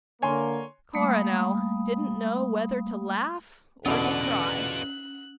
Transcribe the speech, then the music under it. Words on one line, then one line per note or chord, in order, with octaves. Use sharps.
Coronel didn't know whether to laugh or to cry.
D3 A#3 C#5 G#5 C6
G3 A3 A#3 F5 B5 D#6
E2 B2 D3 C#4 F4 D5 F#6